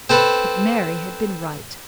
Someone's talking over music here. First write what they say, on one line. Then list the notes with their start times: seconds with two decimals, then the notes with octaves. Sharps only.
But Mary had been right.
0.10 C4 A4 B4